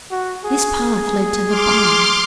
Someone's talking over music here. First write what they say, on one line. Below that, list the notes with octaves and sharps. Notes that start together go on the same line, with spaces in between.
This path led to the barn.
F#4
G#4
C6 D6 F6